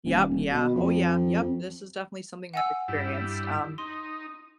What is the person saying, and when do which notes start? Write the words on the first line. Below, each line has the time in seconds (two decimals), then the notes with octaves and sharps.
Yep, yeah, oh, yeah, yep, this is definitely something I've experienced. Um,
0.05 D#1
0.28 D#1
0.51 B2
0.75 F2
1.40 F2
2.54 F#5 G#5 E6
2.88 G2 E4
3.78 D#4 C6